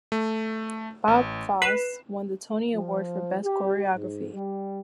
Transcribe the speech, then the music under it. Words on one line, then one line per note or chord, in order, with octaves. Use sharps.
Bob Fosse won the Tony Award for Best Choreography.
A3
A1
B4 C7 E7
F3
G4
G#2
G3